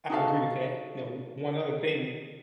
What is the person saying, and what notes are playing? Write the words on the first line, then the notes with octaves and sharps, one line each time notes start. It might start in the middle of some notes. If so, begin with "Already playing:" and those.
I agree with that. Now, o one other thing,
D#4 F#4 A4 F5